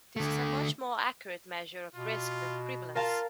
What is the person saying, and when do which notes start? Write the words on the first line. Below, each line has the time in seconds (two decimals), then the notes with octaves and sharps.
This is a much more accurate measure of risk than prevalence.
0.16 D3 A3
1.96 B2 F4
2.95 F4 A#4 F5 A5